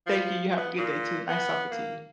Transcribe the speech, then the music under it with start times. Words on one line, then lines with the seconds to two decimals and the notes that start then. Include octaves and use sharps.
Thank you, you have a good day too, nice talking to you.
0.06 F3
0.57 B3
0.78 A#2
1.29 B3
1.71 A#3